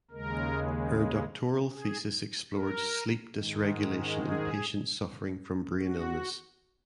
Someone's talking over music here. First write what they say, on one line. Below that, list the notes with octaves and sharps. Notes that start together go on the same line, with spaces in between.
Her doctoral thesis explored sleep dysregulation in patients suffering from brain illness.
D#2 C#3 G#3 A#4
G#4
A#4
G#2 D#3 G#3
G#4
F#4